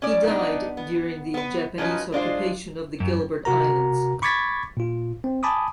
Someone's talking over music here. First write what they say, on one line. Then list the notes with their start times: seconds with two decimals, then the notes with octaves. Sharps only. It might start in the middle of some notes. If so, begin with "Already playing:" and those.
He died during the Japanese occupation of the Gilbert Islands.
0.02 C#4 D5
0.27 B3 D4 D#4
0.77 B3
1.34 B3 B4
1.78 F3 F#3 C#4 D#4 B4
2.12 G#3 D4 F4 C5
3.00 F#2
3.45 C3 F#4 A#4 A#5
4.22 B5 C#6 D6 G#6 A6 B6
4.77 A#2 F4
5.24 C4
5.43 G#5 A5 B5 D6 D#6